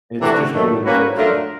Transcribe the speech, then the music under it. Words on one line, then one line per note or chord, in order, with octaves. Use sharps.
It's just really refreshing.
C3 E3 A3 D4 F#4
G2 D#3 F#3 A3
G3 A#3 C#4 F#4 B4
F#3 A3 D4 F4 A#4